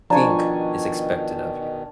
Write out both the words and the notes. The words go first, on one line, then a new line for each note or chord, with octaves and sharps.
think is expected of you.
B2 D#3 F3 D4 G#5 A#5 C#6